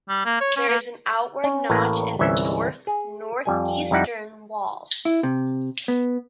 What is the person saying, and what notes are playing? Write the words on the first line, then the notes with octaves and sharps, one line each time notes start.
There is an outward notch in the north-northeastern wall.
G3
A#3
C#5
C#4
A#3
C#4
A1 A2 A#3 B4 A#5
G1 C2 E3 C#4 E5
G#4
F2 G3 G#5
F2 G3 D#4 E4 F#5
E4
C3
B3